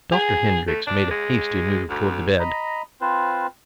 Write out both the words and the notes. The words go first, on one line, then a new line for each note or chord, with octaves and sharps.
Dr. Hendrix made a hasty move toward the bed.
G#4
A3
D4
G#3
D2
D#5 A#5 B5
C4 F4 B4 C5